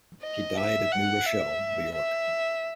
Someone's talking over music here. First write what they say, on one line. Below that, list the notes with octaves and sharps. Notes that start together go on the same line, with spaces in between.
He died at New Rochelle, New York.
D#5
E5
F#5
E5
E5